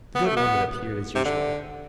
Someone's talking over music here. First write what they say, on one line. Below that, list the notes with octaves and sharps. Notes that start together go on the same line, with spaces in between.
The good woman appeared as usual.
B3
A3
B3
C3
D3